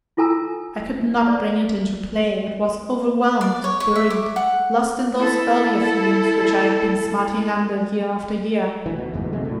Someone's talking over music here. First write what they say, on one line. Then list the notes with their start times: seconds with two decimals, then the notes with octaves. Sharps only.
I could not bring it into play; it was overwhelmed, buried, lost in those earlier feelings which I had been smarting under year after year.
0.17 E4 F4 A4 G#5 A#5 E6
1.27 A4 D5
3.41 D5
3.64 C#5
3.80 C#5
3.95 E5
4.10 D6
4.36 F#5
5.16 E4 A4
8.86 D2 E3
8.98 B2
9.13 G1 E2 G#2 B2
9.32 C3 F#3 G#3 A3
9.45 D2 A2